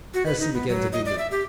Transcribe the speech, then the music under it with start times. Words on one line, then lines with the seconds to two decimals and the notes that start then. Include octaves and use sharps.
Elsie began to giggle.
0.14 F#4
0.26 B4
0.40 D#4
0.54 B3
0.69 F#3
0.93 D#5
1.05 D5
1.18 E5
1.31 G4